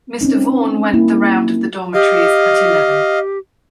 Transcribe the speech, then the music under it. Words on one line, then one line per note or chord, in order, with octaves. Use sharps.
Mr. Vaughan went the round of the dormitories at eleven.
C4 C#4 D#4
G3 A#3 E4
G4 D#5 F5